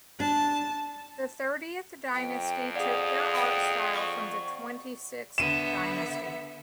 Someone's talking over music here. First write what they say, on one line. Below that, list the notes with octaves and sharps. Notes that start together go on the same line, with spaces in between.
The Thirtieth Dynasty took their art style from the Twenty-Sixth Dynasty.
D4 A5
F2 G5
G#4 D5 F5 F#5
G5
C#6
D3 B3 E5 D#7 E7